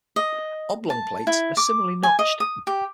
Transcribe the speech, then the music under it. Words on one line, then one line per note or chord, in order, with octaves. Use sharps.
Oblong plates are similarly notched.
D#5
A5
E4
D6
G#5
D#5
D#6
G4